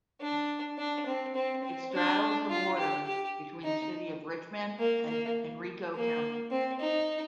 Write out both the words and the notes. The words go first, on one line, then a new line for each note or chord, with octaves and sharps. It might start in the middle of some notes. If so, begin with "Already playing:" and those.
It straddles the boarder between the city of Richmond and Henrico County.
D4
D4
C4
C4
C4
D4
F4
G4
G4
D#4
A#3
A#3
A#3
C4
D#4